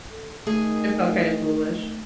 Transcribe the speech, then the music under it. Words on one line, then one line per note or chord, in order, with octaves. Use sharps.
It felt kind of foolish.
A4
D#3 A3 G#4